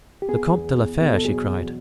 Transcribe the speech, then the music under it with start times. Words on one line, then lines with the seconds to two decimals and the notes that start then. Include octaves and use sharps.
"The Comte de la Fere!" she cried.
0.22 G4
0.28 B3 G#4
0.53 E2
0.77 E2
1.01 B2
1.14 A4
1.25 F#3 G#4
1.49 E2